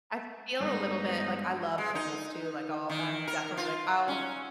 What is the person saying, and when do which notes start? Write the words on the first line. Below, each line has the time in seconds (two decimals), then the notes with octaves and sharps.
I feel a little bit like, I love pickles too, like, I'll I'm definitely like I'll
0.60 G2 G#3 B3 D#4
1.78 G#3
1.95 D#4
2.90 D#3
3.27 A#4
3.57 F4
4.08 C#4